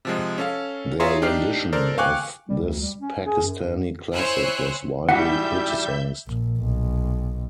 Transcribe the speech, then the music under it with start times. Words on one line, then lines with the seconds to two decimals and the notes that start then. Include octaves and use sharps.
Their rendition of this Pakistani classic was widely criticized.
0.05 C3 F3 G#3
0.38 C#4 A4 F5
1.00 F4 G#4 C#5 E5 A#5 C6
1.22 D4 D#4 G4 F6 C7
1.73 A4 A#4 C5 D5 F6
1.98 F5 G5 G#5 C#6 D6 F#6
2.49 G3
2.62 D2
2.81 G3
3.00 C#4
3.26 G#4
3.42 F#2
4.11 E4 C5 C#5 G#5 E6 F#6
5.09 G#2 B2 E3 G3 E5 F#5 G6
6.27 A#1
6.59 B1